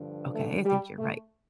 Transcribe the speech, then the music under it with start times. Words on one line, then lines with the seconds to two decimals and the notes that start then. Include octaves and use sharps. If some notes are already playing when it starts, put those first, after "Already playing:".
"Okay, I think you're right."
Already playing: G2 D3 F3
0.32 A3
0.65 G3
0.98 A3